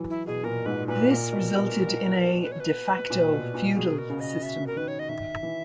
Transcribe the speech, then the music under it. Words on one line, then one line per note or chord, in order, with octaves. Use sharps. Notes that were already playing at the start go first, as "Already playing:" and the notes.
This resulted in a "de facto" feudal system.
Already playing: E3 F#3
E4
B2 G#4
A#2 A#4
G#2 B4
A#2 B4
A#2 A#4
B2
B2
B4
C#5
B4
A#2
B2
A#2
B2 G#4
A#4
C#3
D#5
E5
A#4
D#3 B4
C#5
D#5
D#3 E5
E3